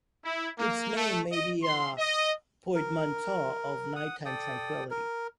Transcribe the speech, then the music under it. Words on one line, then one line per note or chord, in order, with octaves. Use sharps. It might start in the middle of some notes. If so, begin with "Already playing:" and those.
Its name may be a portmanteau of "nighttime tranquility".
E4
A#3
A3
D#5
C6
D#5
A#4
F#5 D#6
A4 D5 G5 D#6
A#4